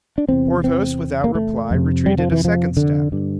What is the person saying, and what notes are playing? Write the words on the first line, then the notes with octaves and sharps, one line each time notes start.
Porthos, without reply, retreated a second step.
D4
E2 C3 C4
C4
A#3
A3
F2 C3
G3
F3
E3
F3
D3
G2 D3